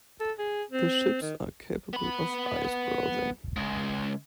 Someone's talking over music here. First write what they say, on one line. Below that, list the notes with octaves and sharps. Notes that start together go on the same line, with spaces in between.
The ships are capable of ice browsing.
A4
G#4
C4
D#3
B3 B5
C#3 G#3